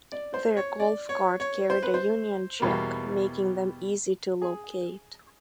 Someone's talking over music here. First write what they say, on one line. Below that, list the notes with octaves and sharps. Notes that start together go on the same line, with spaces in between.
Their golf cart carried a Union Jack, making them easy to locate.
D5
C5
C#5
D5
C#5
C#5
C5
B4
C5
E2 B2 G3 A#3
G#4